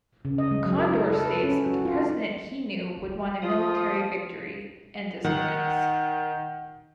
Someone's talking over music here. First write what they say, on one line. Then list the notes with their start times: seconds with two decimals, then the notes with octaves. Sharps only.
Condor states that the President he knew would want a military victory, and disconnects.
0.25 C#3
0.38 D#5
0.51 G#3
0.65 F#3
0.78 A#4
0.92 E4
1.10 A4
1.25 B4
1.43 C#4
1.66 F#4
1.85 F4
3.42 F3 F4 D#6
5.24 D#3 F#5